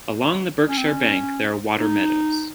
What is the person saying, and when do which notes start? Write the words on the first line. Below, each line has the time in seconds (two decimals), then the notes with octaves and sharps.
Along the Berkshire bank there are water meadows.
0.69 C#4
0.78 C4
0.88 C#4
1.78 D#4